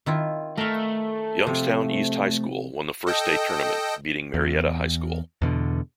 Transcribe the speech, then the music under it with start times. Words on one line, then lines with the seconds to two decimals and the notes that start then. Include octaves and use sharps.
Youngstown East High School won the first state tournament, beating Marietta High School.
0.06 D#3 E4 F4
0.57 A3 A#4 F5
1.47 C3 F3
3.07 A4 D#5 G5
4.34 E2
5.42 E2 B2 D3